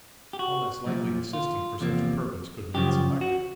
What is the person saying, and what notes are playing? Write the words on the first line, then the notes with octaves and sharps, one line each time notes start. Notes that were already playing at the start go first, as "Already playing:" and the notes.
No less likely assistant for such a purpose could have been selected.
G4
F#4
B1 A#2 F3
F4
E2 C3 F3 A#3
F#2 C#3 F3 G4
F#4